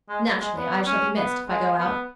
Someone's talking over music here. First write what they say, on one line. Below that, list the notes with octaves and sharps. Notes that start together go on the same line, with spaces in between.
Naturally I shall be missed, if I go out.
G#3
G#3
B3
C#4
B3
G#3
B3